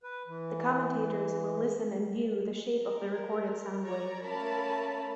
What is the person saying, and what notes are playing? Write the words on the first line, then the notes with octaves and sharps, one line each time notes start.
The commentators will listen and view the shape of the recorded soundwave.
B4
E3
A#4
C#5 D5 A#5
A3 A#3 C#4 A#4 A5 B5